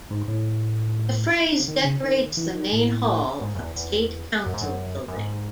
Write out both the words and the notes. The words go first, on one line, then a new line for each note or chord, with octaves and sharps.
The phrase decorates the main hall of State Council Building.
G#2
A2
C#3
D#3
C#3
D#3
E3
D#3
A2
G#2
F#2
E2
E2
F#2
G#2
F#2
F#2
G#2